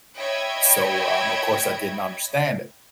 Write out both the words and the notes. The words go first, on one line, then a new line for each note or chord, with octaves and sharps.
So, um, of course I didn't understand it.
C#5 D#5 E5 G5 B5 G#6